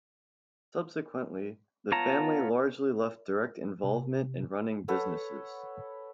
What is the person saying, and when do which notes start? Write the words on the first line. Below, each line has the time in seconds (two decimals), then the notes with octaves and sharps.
Subsequently, the family largely left direct involvement in running businesses.
1.92 B3 F4 C#5 A5 A#5
3.84 C3
4.88 A4 B4 C#5 F#5